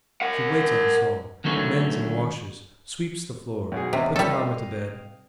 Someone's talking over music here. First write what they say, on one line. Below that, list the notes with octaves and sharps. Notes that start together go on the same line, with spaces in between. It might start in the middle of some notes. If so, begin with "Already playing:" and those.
She waits on us all, mends and washes, sweeps the floor, puts mamma to bed.
A#4 F#5
D3 D#3 F#3 A3 C#4
B1 B2 G#4
E2 C3 C#4 D#5
F3 G3 A#3 C#4 A4
D#5 F5 G5